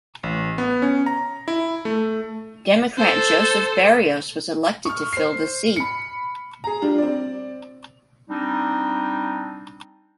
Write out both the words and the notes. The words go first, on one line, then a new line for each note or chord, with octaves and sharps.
Democrat Joseph Berrios was elected to fill the seat.
A1
B3
C#4
A#5
E4
A3
A4 C5
C#6 F6
C5 C7
B5 C#7
G#4 A#5
G3 D4 F4 G4
C4 D5
G3 C4 D4 D#4